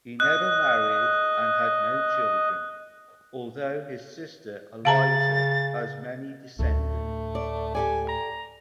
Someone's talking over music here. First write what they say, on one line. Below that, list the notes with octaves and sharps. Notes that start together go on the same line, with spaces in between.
He never married and had no children, although his sister Eliza has many descendants.
D#5 F#6
C#3 F5 A5 A#5 A6
D2 A2 A3
D5
G4 A4 D5 G#5
A#5